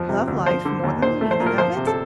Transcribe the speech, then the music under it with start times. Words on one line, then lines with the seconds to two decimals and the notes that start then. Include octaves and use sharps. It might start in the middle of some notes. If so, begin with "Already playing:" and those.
"Love life more than the meaning of it?"
Already playing: F2 F3
0.09 C3
0.28 D2
0.46 F3 C5
0.65 D3
0.83 D#2
1.02 A#2 C5
1.21 A3
1.31 C5
1.40 A#2
1.46 A#4
1.58 F3 C5
1.77 C3
1.87 A4